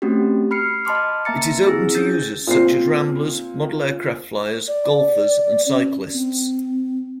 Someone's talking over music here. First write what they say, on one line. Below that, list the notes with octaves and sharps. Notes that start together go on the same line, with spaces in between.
It is open to users such as ramblers, model aircraft flyers, golfers and cyclists.
A3 C4 C#4 F#4 G4
B5 F6 C7 C#7
D#5 A5 B5 C6 D6 F6
A#3 E5 A#5 A6 C#7
C4 E4 G#4 E6 A#6
C#4 G6 A6
A#2 C4 C7
D5
C#4
C4